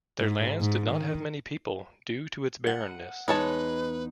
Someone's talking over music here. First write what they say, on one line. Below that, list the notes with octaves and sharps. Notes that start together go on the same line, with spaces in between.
Their lands did not have many people due to its barrenness.
G#2
G#2
D#3
F#5
E2 G#3 D#4 B4 C#5 A5